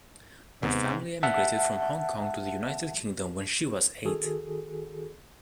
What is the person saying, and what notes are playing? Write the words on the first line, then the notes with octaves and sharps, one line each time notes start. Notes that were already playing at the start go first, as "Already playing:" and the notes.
Her family emigrated from Hong Kong to the United Kingdom when she was eight.
D#2 G#2 C3 B3
E5 F#5 A5
D#3 F#4 G#4 A4